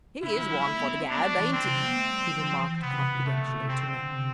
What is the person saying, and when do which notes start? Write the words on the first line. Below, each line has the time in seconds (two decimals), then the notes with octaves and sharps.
"He is one for the gab, ain't he?" he remarked confidentially to me.
0.23 D3 E4
0.37 F3
0.52 G3
0.67 A3
0.77 B3
0.88 C4
0.99 C4
1.10 B3 D4
1.18 G3
1.23 A3
1.38 E3
1.52 D3 C4
1.64 C3
1.75 F3
1.85 B3
1.96 A3
2.10 G3
2.24 F3
2.39 F3
2.61 E3
2.82 C3 B3
2.94 C3
3.15 C3
3.25 C3 A3
3.37 D3
3.48 B2
3.58 C3
3.69 C3 C4
3.83 D3
3.98 D3
4.12 C3